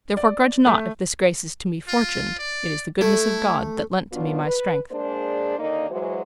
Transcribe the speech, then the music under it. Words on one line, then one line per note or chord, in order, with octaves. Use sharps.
Therefore grudge not if this grace is to me fortuned, it is the goodness of God that lent to me my strength.
D5
A3
F4
D5
A3 E4
G2 B2 F#3 B3 D4 F4
B4
G#3 A#3 D4 G#4 C5 D5
D#2 D3 A#3 D#4 D5 D#5
E3 F#3 G#3 F#4 C5